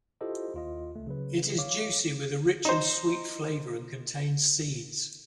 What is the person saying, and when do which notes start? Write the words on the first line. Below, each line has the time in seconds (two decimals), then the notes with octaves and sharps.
It is juicy with a rich and sweet flavour and contains seeds.
0.21 E4 F4 G4 A4 C5 D#5
0.54 D#2 F4 D#5
0.95 C#2 A3
1.07 C#3 F#3 B4
1.58 C#5 F5 D6
2.65 D#4 C5